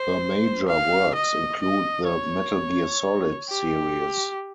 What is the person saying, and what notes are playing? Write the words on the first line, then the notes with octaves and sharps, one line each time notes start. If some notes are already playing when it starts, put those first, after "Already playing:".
Her major works include the "Metal Gear Solid" series.
Already playing: C5
F5
D#5
D#5
C#5
G4